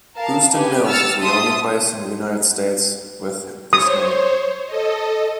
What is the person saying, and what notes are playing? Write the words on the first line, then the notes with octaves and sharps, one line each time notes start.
Bruceton Mills is the only place in the United States with this name.
A#4 F5 A5
B3 G4 G#5
E6 F6 A6 C#7
E5 A5 C6 D#6
C5 C#5 D#6
A4 D#5